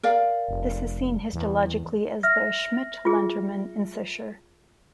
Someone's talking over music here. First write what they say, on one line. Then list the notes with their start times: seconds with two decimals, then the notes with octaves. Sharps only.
This is seen histologically as the Schmidt-Lantermann incisure.
0.03 A#4 D5 F5
0.49 F1
1.33 E2
2.23 E5 F6 A#6
3.05 F4 G#4